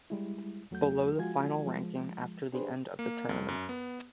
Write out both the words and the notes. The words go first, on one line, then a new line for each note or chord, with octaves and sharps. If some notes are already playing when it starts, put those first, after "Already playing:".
Below the final ranking after the end of the tournament.
G3 G#3 E4
E2 F#3 A3 F#4 G6
F3 G#3 F4 F#4 G#5 G#6
F3 G#3
D4 G4 G#4 B4 C5
A#3
F2
F#2
B3